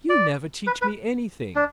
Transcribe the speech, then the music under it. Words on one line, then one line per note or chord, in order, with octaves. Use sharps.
"You never teach me anything."
D5
B4
B4
D4